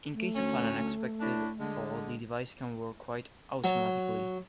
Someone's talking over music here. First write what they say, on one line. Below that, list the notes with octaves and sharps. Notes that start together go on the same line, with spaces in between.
In case of an unexpected fall the device can work quite automatically.
A3
D2 C#4
A2 D4
D3 G#3
F#3